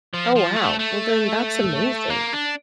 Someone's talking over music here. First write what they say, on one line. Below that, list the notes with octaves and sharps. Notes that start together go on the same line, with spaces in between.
Oh, wow. Well, then that's amazing.
F3
F3
A3
A3
A#3
D4